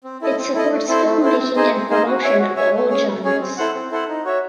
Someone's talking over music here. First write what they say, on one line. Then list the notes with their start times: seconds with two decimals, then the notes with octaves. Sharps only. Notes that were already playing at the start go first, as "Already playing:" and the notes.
It supports filmmaking and promotion of all genres.
0.04 C4
0.21 E4 A4 D#5
0.38 C4
0.54 E4 A4 D#5
0.72 A3
0.88 C4 E4 A4 C5
1.05 A3
1.21 C4 E4 A4 C5
1.39 C4
1.56 D#4 G#4 C5 D#5
1.73 C4
1.90 D#4 G#4 C5 D#5
2.07 F#4
2.22 C#5 E5 G#5
2.39 F#4
2.56 C#5 E5 G#5
2.74 A3
2.90 C#4 G#4 C#5
3.06 A3
3.23 C#4 G#4 C#5
3.40 C4
3.58 E4 A4 C5 F#5
3.75 C4
3.91 E4 A4 C5 F#5
4.08 D#4
4.25 F#4 C#5 E5